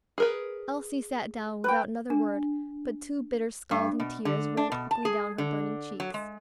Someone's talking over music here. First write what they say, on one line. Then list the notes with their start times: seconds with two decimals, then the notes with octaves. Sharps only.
Elsie sat down without another word, but two bitter, scalding tears rolled quickly down her burning cheeks.
0.18 G#4 A#4 B4
1.64 B4 G5
2.10 D4
3.71 G2
4.00 B2
4.25 D3
4.57 D4
4.72 B2
4.91 A5
5.05 G#4
5.38 D3
6.00 F#3
6.14 G#3